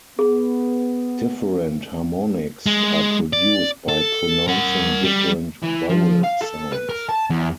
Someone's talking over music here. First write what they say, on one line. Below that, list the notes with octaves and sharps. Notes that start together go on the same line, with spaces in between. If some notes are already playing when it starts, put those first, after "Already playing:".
Different harmonics are produced by pronouncing different vowel sounds.
B3 G#4
G#3
D5
A4
A#4 F#5
G3
E3
F3
F5
A4
B4
A#4
A5
E2